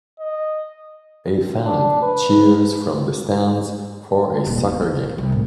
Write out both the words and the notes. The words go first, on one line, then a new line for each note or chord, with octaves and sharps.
A fan cheers from the stands for a soccer game.
D#5
D4
B4
D#1
C#3
E2
E4
D#3
C2
A2